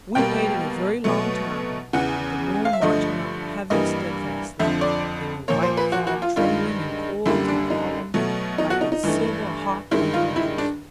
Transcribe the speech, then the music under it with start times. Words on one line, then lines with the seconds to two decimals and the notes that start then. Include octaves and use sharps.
We waited a very long time, with the moon marching up heaven steadfastly, and the white fog trembling in chords and columns, like a silver harp of the meadows.
0.15 B2 G3 A#3 G5
1.04 B2 F#3 A3
1.93 E2 C#3 E3 F#5
2.65 F5
2.73 E5
2.82 G2 D3 F3 A3 D#5
3.70 G2 E3 G3 A#3 D#5
4.59 F2 D3 F3 E5
4.81 D5
5.48 A#2 F3 A#3 C#5
5.63 C5
5.77 B4
5.92 F#4
6.07 F#4
6.22 F4
6.36 G2 D#3 G#3 F4
7.26 F#2 D3 G3 A#3 E4
7.48 D4
7.70 D#4
8.14 B2 F#3 A3
8.58 D#4
8.70 F#4
8.81 D#4
8.92 D#4
9.03 G2 E3 A3
9.91 G2 D#3 G#3 E4
10.14 F4
10.36 E4
10.58 D4